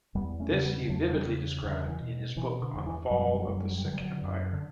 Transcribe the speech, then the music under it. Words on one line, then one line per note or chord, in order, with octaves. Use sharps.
This he vividly described in his book on the Fall of the Sikh Empire.
E2 G3 B3
A3 C#4
C#3
G3 B3
E2 F#3 A3
F#3
E3 G3
C#3
E2 D3
E3
B2
B2 E3
D3
E2 D3
E3
F#2 F#3
G3
F#3
G3
F#3
F#2 G3
F#3
G3
F#3
G3
D3 F#3
G3
D3 F#3
F#2
D3